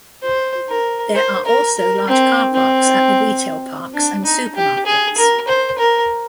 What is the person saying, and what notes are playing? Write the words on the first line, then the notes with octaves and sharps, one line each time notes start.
There are also large car parks at the retail parks and supermarkets.
C5
A#4
C5
A#4
A#4
C4
C4
D4
D#4
G4
G#4
A#4
C5
A#4